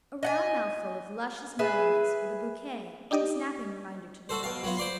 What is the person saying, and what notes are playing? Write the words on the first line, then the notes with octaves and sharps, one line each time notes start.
A round mouthful of luscious mellowness, with a bouquet--a snapping reminder to the nose.
D#5 F#5 G#5
G#4 B4 E5
D4 D#4 G4 D5 D#5
F#4 A4 C5
B2 F5
F#3 B3 F4
C5 D5 C6